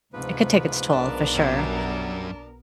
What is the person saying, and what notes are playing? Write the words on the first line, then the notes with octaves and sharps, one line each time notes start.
it could take its toll for sure.
D2 G#2 C3 F3 B4
B1 B3 D4 A#4
F#2 F#3 G3